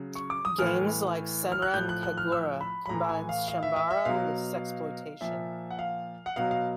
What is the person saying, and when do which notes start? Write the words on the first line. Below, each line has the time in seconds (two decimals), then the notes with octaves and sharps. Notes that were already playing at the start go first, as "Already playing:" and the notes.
Games like Senran Kagura combines Chambara with sexploitation.
Already playing: C#3 F#3
0.15 C#6
0.30 D6
0.45 D#6
0.59 A2 E3 F6
1.52 F6
1.62 F#6
1.74 A2 F3 G6
1.89 F#6
2.03 F#6
2.17 F6
2.32 E6
2.61 B5
2.86 B5
2.89 A2 E3 A#5
3.09 G#5
3.29 F5
3.48 F5
3.63 E5
3.76 E5
3.91 E5
4.05 B2 F#3 F5
5.21 A#2 F3 E5
5.71 F#5
5.79 F5
6.26 F#5
6.36 B2 F#3 F5
6.51 F5